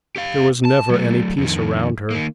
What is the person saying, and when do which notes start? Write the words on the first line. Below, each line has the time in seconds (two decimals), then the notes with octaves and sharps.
There was never any peace around her.
0.16 G4 F5
0.65 A5
0.90 F#3 A3
1.38 F2 D#3
2.11 D#3 A#3